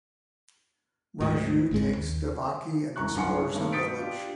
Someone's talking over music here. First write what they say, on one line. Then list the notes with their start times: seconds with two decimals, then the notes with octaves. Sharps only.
Raju takes Devaki and explores the village.
1.21 D2 G#2 F3
1.71 G1 G#2 G#3 C4
1.97 D#2
2.96 E1 C2 C#3 A#5 C#6 F#6
3.16 B1 G2 F#5 G#5 C6 C#7
3.36 D4 E4 G#4 C#5
3.54 G2 D#3 A3 A#3 C4
3.72 D#6 G6 A6 B6 C#7 D7
3.98 D4 F4 G4